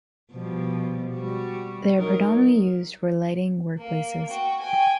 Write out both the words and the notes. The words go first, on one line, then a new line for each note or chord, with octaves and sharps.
They are predominantly used for lighting workplaces.
B2 F3 G3
G3 F#4
F#3 D#4 A#4
A#3
F#4 G5
G5 G#5